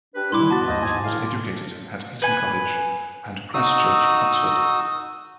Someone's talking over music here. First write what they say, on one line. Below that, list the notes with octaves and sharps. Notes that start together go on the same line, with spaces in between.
Lord Bath was educated at Eton College and Christ Church, Oxford.
D4 G4 B4
G3 E4 C6 D6
B3 F#4 A5 A6
D#2 C5 D#5
G#2 G#5
A2 F5
B4 G#5
D#4 F#4 D#6 E6